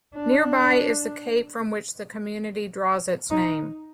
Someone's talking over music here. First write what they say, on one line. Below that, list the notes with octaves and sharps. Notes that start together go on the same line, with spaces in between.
Nearby is the Cape from which the community draws its name.
D4
D#4